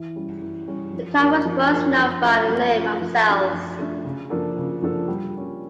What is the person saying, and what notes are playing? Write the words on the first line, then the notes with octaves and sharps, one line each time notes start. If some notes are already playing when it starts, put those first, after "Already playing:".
The town was once known by the name of Celles.
Already playing: E3
G3 C#4
E3
G3 C#4
F3
A#3 D4
F3
A#3 D4
F3
A3 C#4 F4
F3
A3 C#4 F4
F3
A3 D4 A4
F3
A3 D4 A4
C#3
F3 A#3 D4 A4
C#3
F3 A#3 D4 A4
G3
A#3 C#4